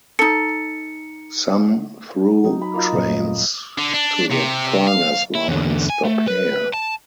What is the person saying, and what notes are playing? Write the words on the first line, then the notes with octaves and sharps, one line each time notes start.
Some through trains to the Furness Line stop here.
D#4 A4 C#7
F#3 D#4
B5
A#3 F4 D#5
D#1 F#2
D3
D4
C3
F5
E4
E2 D3
G#5
A3
B4
A5